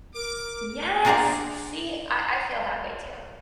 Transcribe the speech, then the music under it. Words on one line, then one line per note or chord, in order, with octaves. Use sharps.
Yes. See, I I feel that way too.
A#4 D6
A#3 D4 G#4 A#4 C5 D5